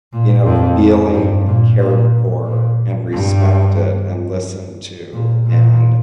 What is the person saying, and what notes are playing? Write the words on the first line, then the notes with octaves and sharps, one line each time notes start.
you know, feeling cared for, and respected, and listened to, and,
A#2
F2
G2
A#2
A#2
A#2
G2
A#2
A#2